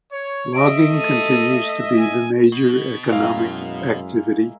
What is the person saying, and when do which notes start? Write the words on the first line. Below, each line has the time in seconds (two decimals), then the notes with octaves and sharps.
Logging continues to be the major economic activity.
0.12 C#5
0.55 D#5 E5 D7
0.92 A3 D#7
1.98 G#5
2.52 B2
3.13 F#2 G#3 A#3 E4 F5